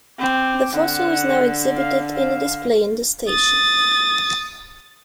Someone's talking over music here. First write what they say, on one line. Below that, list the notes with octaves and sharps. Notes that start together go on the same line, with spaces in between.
The fossil is now exhibited in a display in the station.
C4 D6
D3 F#5
F5
F5
D#6 A6